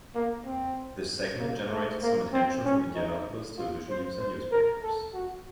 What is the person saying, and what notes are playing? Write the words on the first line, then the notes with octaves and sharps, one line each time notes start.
This segment generated some attention from Indianapolis television news and newspapers.
A#3
C4
A#3
A3
A#3
C4
C#4
D#4
F4
C5
C5
A#4
A4
F#4